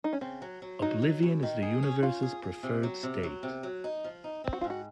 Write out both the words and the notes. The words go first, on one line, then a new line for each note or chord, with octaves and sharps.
Oblivion is the universe's preferred state.
D#4
C#4
C#3 C4
F#3
F#3
F#3 D#4
F#3
F#2
D#3
G#4
C#4
C#4 F4
G#4
G#4
C3
F#3
C3
F#3
C3
F#3
D#4
F3
D#4
C4
F#4
G#2 F4
F#4